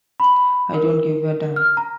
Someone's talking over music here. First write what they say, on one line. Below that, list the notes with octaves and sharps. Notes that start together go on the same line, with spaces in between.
I don't give a damn.
B5
A#4
F6
A#5